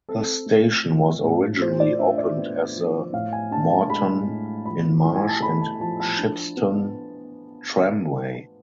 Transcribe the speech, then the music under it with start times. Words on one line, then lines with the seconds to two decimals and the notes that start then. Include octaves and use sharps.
The station was originally opened as the Moreton in Marsh and Shipston Tramway.
0.09 C4 A4
0.46 A3
0.84 F3
1.22 A2
1.62 F4 C5
1.80 D5
1.99 D4 E5
2.18 D5
2.37 B3
2.76 F3
3.13 A2 F5
3.32 G#5
3.51 D4 A5
3.70 A5
3.90 G#3 B5
4.27 A2
4.66 F3 B5
5.05 E4
5.16 G#5
5.28 A5
5.42 A3 B5
5.61 A5
5.80 F3 A5
6.00 A5
6.19 D4
6.57 B3